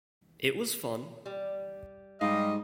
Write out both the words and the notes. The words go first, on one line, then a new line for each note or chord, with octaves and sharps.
It was fun.
G3
G#2 G3 G4 D#5 F5